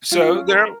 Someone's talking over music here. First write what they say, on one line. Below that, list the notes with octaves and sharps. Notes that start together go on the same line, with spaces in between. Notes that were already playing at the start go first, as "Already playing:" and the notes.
So, there
F4
C#4
A#4